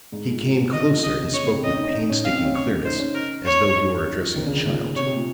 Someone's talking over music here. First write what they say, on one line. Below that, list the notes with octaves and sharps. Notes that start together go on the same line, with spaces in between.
He came closer and spoke with painstaking clearness, as though he were addressing a child.
G#2
A#2
C3
D#3 D#5
F3
C#3 D#5
C3
C#3 C#5
A#3
C4
C#4 D#5
D#4
C#4
D#4
C#4
C4 F5
C4
C#4
C#5
D#4 C5
D#4
C#4
A#4
C#5
D#4
C#4
F3
D#3
C#3
D#3
A#2
A#2
C3 C#5
C3
A#2